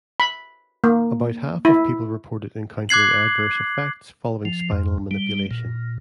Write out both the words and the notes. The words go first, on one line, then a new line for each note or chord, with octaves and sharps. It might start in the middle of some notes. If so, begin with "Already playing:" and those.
About half of people reported encountering adverse effects following spinal manipulation.
B5
A#3
E4
D6 F#6 G#6 C7 F#7
F3
F2
G3
A#2